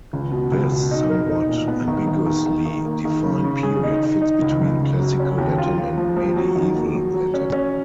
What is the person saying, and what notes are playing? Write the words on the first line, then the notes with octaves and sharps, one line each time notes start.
This somewhat-ambiguously-defined period fits between Classical Latin and Medieval Latin.
C#2
B2
C#2
B2
D#4
A#4
D#4
A#2
B3
D#3
D#3
D#3
D#3
D#3
A#3
D#3
C#3
C#3
G#4
D#4
D#4
D#4
C#2
C#2
C#3
F#3
C#4
D#2
F4
F4
F3
F3
F#3
D#3
A#3
F#3
F#3
C#4
C#4